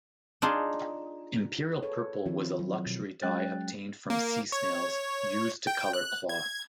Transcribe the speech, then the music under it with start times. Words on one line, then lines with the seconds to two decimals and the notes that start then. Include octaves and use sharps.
Imperial purple was a luxury dye obtained from sea snails, used to colour cloth.
0.42 D4 D#4 F4 G#4
1.83 G#4 A4 B4 C#5
2.26 D#3 F3 C4 E4 F4
2.59 F#3
2.86 B2
3.22 F#3 G#3 C#4 G5 F#6 A6
4.10 A#3
4.52 C#5
5.67 G5
5.93 F#6
6.29 G#6